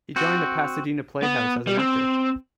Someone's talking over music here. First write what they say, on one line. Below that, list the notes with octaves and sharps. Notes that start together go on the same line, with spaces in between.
He joined the Pasadena Playhouse as an actor.
C4 F#4
B3
G3
C4